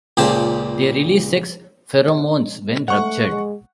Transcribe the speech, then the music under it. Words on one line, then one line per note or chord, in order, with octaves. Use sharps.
They release sex pheromones when ruptured.
C#2 A#2 C#3 G4 C5 A5
A3 F#5 C#6
G#3